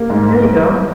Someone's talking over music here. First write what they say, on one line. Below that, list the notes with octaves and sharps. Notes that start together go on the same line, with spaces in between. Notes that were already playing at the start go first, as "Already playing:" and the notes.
There you go.
Already playing: A#3
G#2
G#2